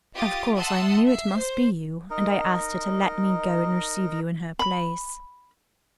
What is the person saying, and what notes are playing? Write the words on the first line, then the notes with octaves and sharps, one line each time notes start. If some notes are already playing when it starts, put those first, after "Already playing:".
Of course I knew it must be you, and I asked her to let me go and receive you in her place.
F4 G4 D#6 A6
E5 F#5 A5 C6 D#6 E6
E5 C7
C5
D#4 A#4 D#5
B5